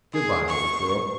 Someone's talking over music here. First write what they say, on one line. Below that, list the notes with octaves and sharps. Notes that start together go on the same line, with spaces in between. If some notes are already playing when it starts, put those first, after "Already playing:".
'Goodbye, old girl.
G#4
C#6